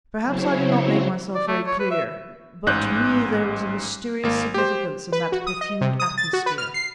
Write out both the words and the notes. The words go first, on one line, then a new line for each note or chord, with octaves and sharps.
Perhaps I do not make myself very clear, but to me there was a mysterious significance in that perfumed atmosphere.
C#3 F#3 C4 E4 C5 C#5
D5
A3
C#5
B4
E5
A1 G#2 F#6 G6
G#1 A#3
G4 C5
B4
F#4
D#6
D#5
C3
D#6
A6
F#4
B4
F6
C7